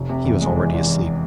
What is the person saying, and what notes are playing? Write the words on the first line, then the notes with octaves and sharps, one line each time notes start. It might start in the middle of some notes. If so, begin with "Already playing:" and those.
He was already asleep.
Already playing: F1
C3
E2
G#3
E2
E2
E2